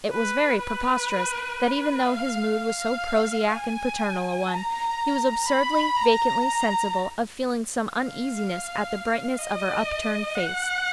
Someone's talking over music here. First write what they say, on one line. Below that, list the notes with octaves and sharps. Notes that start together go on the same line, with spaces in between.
It was very preposterous, that even though his mood was so prosaic and paternal a one, he was absurdly, vacantly sensible of feeling some uneasiness at the brightness of her upturned face.
B4
B4
F5
F5
G#5
A#5
B5
A#5
A#5
F5
D#5
F#5